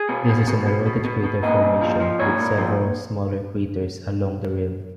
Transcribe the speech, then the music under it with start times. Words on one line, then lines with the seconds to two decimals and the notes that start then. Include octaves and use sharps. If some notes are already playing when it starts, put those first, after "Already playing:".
This is an eroded crater formation with several smaller craters along the rim.
Already playing: G#4
0.09 B2
0.29 B2
0.48 B2
0.66 B2
0.86 B2
1.05 B2
1.24 B2
1.43 A#2 D#5
1.62 A#2
1.81 F3
2.00 F3
2.19 A#2 C#5
2.38 A#2
2.57 F3